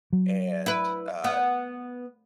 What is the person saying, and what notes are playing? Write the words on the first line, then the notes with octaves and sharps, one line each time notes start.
and, uh,
F#3
E4 B4
B3